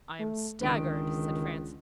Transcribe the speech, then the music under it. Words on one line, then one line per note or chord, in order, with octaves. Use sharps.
"I am staggered," said Francis.
A3
C#2 D3 D#3 G#3 D7